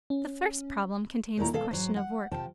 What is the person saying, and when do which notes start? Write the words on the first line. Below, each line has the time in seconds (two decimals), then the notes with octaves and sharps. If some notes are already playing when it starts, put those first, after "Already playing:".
The first problem contains the question of work.
0.10 C#4
1.37 D#2 A#2 G3 A3 E4 A#5
1.53 B2 G#3 A4 F5
1.71 G#2 F#3 C5
1.96 F#5
2.32 C3 F3 G5 A5